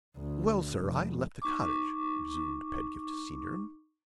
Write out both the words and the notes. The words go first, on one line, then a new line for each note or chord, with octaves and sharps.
"Well, sir, I left the cottage," resumed Pedgift Senior.
D2
F1
D#4 C#6 D6